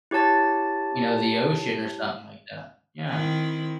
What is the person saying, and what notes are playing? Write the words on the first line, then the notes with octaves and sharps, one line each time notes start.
you know, the ocean or something like that, yeah.
E4 G4 C#5 A5 A6
D#3 C4 E4